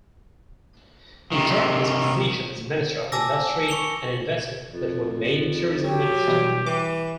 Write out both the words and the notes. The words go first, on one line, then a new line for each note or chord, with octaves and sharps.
He dropped his position as minister of industry and investment, but remained tourism minister.
C3 D#3
G#5 A5 D6 E6 A#6
C#6 C#7 F7 G7
F2
F#3 G4
B2 E3 G3
E3 D6